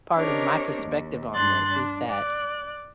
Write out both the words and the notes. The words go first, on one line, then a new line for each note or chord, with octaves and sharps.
part of my perspective on this is that,
C4 D4 D#4 G4 A#4 C#5
D#2
G2 D4 C6 F#6 A6
D4
D5 F#6